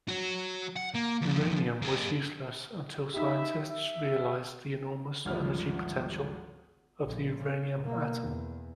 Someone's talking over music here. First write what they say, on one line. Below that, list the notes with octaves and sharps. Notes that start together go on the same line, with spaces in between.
Uranium was useless until scientists realized the enormous energy potential of the uranium atom.
F#3 F#4
F#5
A#3
D#2 F3
A#3 G#4
D#4 G4 E5 B5
E5
G#1 D2 F3 G3 F6
A#1
C#3
B2 A#3
E2